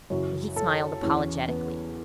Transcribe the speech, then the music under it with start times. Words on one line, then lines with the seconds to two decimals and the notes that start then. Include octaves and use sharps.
But he smiled apologetically.
0.10 F#2 C#3 E3 F#4
0.56 A4
1.02 E2 E3 C#4
1.48 B3